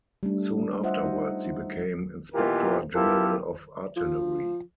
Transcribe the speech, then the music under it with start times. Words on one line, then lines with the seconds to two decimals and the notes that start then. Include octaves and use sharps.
Soon afterwards he became inspector-general of artillery.
0.23 G3 A3 D4
0.83 F4 C5 D#5 E5 F#5
1.05 D#4
2.34 B2 E3 A#3 F4 G4 A#4
2.95 B3 E4 F4 G4 A4 A#4
3.96 F3